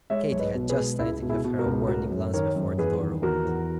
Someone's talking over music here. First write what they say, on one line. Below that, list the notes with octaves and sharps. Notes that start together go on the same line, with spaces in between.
Katy had just time to give her a warning glance before the door opened.
G#3 C#5 E5
B1 C#5
B4 D#5
B2
G#4 B4
G#3
C#2 E4
B2
E4 G#4
B2
F#4 A#4
C#2
F#3 F#4 A#4
F#2
D#3 A#4 C#5
F#2
E2 G#4 B4
D#3
E2 F#4 A#4
E2